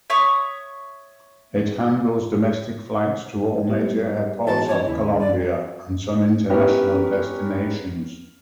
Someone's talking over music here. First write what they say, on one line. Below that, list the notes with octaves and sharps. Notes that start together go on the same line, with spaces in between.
It handles domestic flights to all major airports of Colombia and some international destinations.
C#5 E5 C#6 D#6
G3 B3
E3 B3 F#4 A5
F3 C#4 C#5
D#2 C#3 E4
D5
B3 C#4 E4 G4 A#4 B4